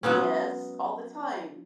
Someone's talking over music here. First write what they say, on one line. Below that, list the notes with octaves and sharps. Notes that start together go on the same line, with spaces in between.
Yes, all the time.
F#3 G#3 B3 C#4